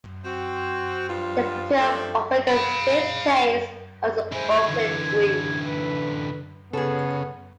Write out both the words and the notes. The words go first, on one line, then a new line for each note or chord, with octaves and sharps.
The film opened in fifth place on its opening week.
C4 F#4
G2 F3 F4
F3 G3 A3 C4 D4
F5 B5
G#3 E4 C5 G#5
G#6
D3 E3
A4 B4
C#3 B3 G#4 A4